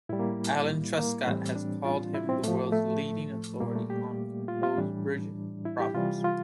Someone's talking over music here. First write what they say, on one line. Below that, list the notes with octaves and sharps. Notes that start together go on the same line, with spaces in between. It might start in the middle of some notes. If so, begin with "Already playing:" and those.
Alan Truscott has called him "the world's leading authority" on composed bridge problems.
A2 G3 E4
A#3
A#3
A2 E3 G3 C4
D4
F4
E4
C4
A2 F3 A3
A3
A#2 G3 A#3
A3
G4
F4
F4
A2 E3 G3 D4
E4
G4
C3 E3 G3 F4
F4